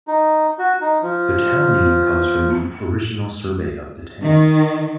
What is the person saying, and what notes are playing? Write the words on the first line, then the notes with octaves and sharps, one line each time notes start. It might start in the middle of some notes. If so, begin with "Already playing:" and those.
The town name comes from the original survey of the town.
D#4
F#4
D#4
F3
D#3